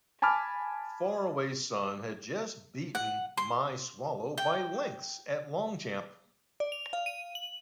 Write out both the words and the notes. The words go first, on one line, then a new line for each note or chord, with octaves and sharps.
Faraway Son had just beaten My Swallow by lengths at Longchamp.
G#5 A5 B5 D6 F6
F#5
C6
G5
D5
F7
F5
D#7
F#7